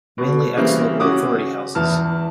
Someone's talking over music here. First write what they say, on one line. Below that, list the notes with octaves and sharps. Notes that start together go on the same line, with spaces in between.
Mainly ex-local authority houses.
B2
C#3 E3 G3 A#3 C4 A#4
C#3 C#4 F#4 D6 D#6
E2 E3 A5 F6